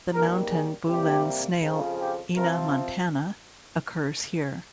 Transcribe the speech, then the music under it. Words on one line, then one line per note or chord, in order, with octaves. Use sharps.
The Mountain Bulin snail "Ena montana" occurs here.
G#2 G3 A#3 A#4
G#4
C3 G3 A#3 G4
F2 C#3 F3
G4
C3 F3 C4 A#4